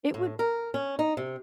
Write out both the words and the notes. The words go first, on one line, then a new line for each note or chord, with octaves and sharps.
it would
A2
A#4
C#4
D#4
C3